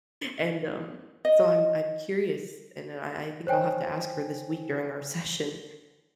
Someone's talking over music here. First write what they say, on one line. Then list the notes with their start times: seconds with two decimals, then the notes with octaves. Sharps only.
And, um, so I'm I'm curious and I I think I'll have to ask her this week during our session.
1.25 D#5
3.47 C5 C#5 G5 G#5